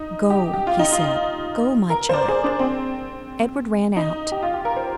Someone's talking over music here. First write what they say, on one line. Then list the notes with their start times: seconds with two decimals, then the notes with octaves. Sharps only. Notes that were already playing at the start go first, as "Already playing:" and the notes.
"Go," he said: "go, my child." Edward ran out.
Already playing: D#4
0.30 G4
0.54 G4
0.67 F4
0.79 D#4
0.92 F4
1.90 A#4
2.09 C5
2.14 D5
2.28 G#4
2.44 D4
2.59 C4
3.96 D#4
4.32 G4
4.43 F4
4.54 G4
4.65 A#4
4.76 C5